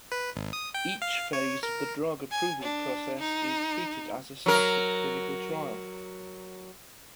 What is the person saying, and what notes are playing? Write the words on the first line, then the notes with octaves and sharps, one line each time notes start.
Each phase of the drug approval process is treated as a separate clinical trial.
B4
G#1
D#6
G5
F5
C#5
A#4
G#5
D4
D#4
F#3 A#4